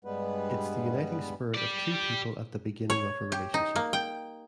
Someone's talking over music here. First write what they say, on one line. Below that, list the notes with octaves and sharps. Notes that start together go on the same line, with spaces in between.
It's the uniting spirit of two people at the beginning of a relationship.
G2 G3 G#3 B3 B4
G4 D5
C#5
G4
D#4
A#3
G5